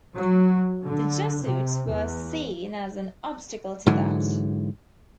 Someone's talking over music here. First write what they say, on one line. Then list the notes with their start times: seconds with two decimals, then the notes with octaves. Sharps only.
The Jesuits were seen as an obstacle to that.
0.15 F#3
0.85 D3
1.42 C3
1.89 E2
3.86 G#2 D3 E3 F#3